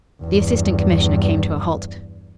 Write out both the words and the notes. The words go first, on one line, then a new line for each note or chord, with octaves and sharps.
The Assistant Commissioner came to a halt.
E2 G2